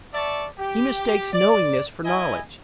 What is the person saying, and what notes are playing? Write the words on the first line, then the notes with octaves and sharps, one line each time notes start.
He mistakes knowingness for knowledge.
D5 E5 A5 C#6
G4
D5
E4 D#5 G#5